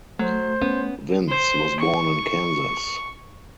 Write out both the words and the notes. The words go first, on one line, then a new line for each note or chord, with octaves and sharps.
Vincze was born in Kansas.
F#3 A3 C5
B3 C#4
C5
C#6